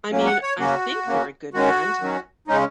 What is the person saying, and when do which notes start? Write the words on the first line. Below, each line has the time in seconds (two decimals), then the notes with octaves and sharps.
I mean I think they're a good band.
0.11 A#2 F#3 A#3 C#4
0.26 F#5
0.43 C#5
0.59 C#3 A#3 C#4 F#4
1.06 C#3 A#3 C#4
1.54 D#3 G#3 C#4 F#4
2.00 D#3 F#3 C#4
2.47 C#3 G#3 C#4 D#4